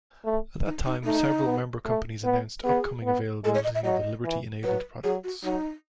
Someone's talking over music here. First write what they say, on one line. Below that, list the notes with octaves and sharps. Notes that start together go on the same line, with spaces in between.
At that time, several member companies announced upcoming availability of Liberty-enabled products.
A3
D#4
D#4
A3 D#4
B3
A3
B3
B3 G#4
B3
G#3 A4
C#5
D#5
E5
F#3 D#5
E3
F#3 B4
F#3 G#4
F#4
F#3 D#4